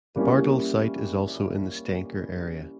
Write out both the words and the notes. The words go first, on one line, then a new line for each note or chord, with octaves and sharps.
The Bardal site is also in the Steinkjer area.
G3 A#3 C#4 E4